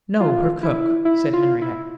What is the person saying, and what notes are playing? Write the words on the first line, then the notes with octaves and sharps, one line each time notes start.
"No--her cook," said Henriette.
F4
E4
E4
F4
E4